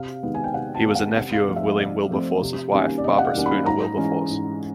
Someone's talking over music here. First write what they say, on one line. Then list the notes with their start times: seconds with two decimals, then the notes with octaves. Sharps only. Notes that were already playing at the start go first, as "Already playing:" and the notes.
He was a nephew of William Wilberforce's wife, Barbara Spooner Wilberforce.
Already playing: C3 F5
0.23 D#3 G#3 B3
0.34 G#5
0.44 G5
0.54 C3 F#5
0.74 A5
0.85 D#3 G#3 B3 F5
0.95 F#5
1.16 C3 F#5
1.32 F5
1.47 F3 A3 C4
1.56 E5
1.63 D#5
1.79 C3 D5
2.10 F3 A3 C4
2.41 C3
2.72 D#3 G3 A#3 C#4
2.98 D5
3.04 C3 D#5
3.19 F#5
3.25 F5
3.35 D#3 G3 A#3 C#4
3.46 B5
3.66 G#2 A#5
3.97 E3 G#3 C#4
4.29 G#2